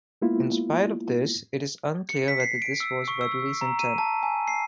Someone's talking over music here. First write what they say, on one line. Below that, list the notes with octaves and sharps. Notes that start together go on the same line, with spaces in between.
In spite of this, it is unclear whether this was Weatherly's intent.
G#3 A#3 B3 E4 F4
C#7
B6
C7
D7
E6
C#6
E6
A#5
D#7
A5
G#5
C7